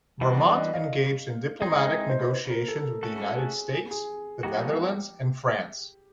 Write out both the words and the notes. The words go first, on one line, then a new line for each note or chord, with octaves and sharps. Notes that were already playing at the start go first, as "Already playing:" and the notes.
Vermont engaged in diplomatic negotiations with the United States, the Netherlands, and France.
E3 G3 B3 D4 F#4 D#5
D5
D#5
F5
G#3 C4 D#4 G#4
D#5
E5
C5
B4
C5
A#4
A4
A3 C#4 F#4 A4
G#4
G#4
G#4
F3 G#3 B3 D#4 F#4 G4